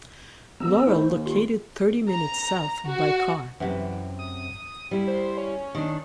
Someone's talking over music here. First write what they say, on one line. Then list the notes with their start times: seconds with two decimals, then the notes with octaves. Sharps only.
Laurel located thirty minutes south by car.
0.60 E1 B3 A#5 E6
0.87 A2 D#4 C5
1.09 D#2
1.26 F4 G4 C6
2.08 A#5
2.87 F#4
3.60 F#2 C3 E3
4.19 D#6
4.91 G3 E4
5.07 C5
5.38 C#4
5.75 D#3 D4